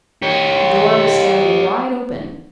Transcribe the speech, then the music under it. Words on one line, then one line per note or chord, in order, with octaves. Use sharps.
The door was standing wide open.
G4 C#5